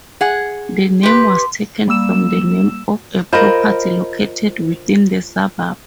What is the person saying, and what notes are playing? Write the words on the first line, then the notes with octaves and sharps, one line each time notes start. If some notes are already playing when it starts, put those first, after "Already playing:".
The name was taken from the name of a property located within the suburb.
G#4 F#5
G4 B4 C6
G3 A#3 E6 E7
F4 A#4 C5 D#5 B5